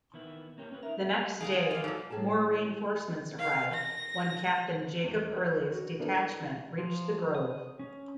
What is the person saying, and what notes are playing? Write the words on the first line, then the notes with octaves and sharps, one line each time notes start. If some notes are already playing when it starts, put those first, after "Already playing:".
The next day more reinforcements arrived when Captain Jacob Early's detachment reached the grove.
D#3 B3 E4
A#3 C#4 G4
C#4 B4
D#4 A#4 E5
G#4 F5 G5 A#5
F4 G5
D5 F5
G#2 F#3 A4
A2 D#3 G#4 A4 A5
F5
A#6
E2
F#4
B3 D4 E4 A4 A#4
F3
D#6
C#4